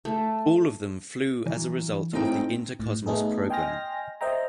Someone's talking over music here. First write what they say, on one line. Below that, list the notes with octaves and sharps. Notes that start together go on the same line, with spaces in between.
All of them flew as a result of the Intercosmos program.
A3
E3 F#3
A2 A3 C4 D#4 F4 G5
A2
A3 B3 D#4 G#4 A4
D#5 G5 G#5 C6 F6 A#6
C5 D#5 E5 G5 A#5